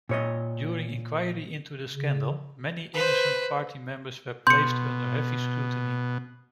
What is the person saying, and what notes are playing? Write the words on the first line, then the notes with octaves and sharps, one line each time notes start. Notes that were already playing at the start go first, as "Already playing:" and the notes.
During inquiry into the scandal, many innocent party members were placed under heavy scrutiny.
A#2 C#5 D#5
C#3
B4 C5
B2 C6 G6 C#7